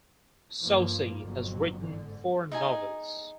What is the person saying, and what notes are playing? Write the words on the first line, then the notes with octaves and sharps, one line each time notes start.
Soucy has written four novels.
G2 F3 A#3
G1 F2 A#2 F#3
G#2 D3
D#4 G#4 G#5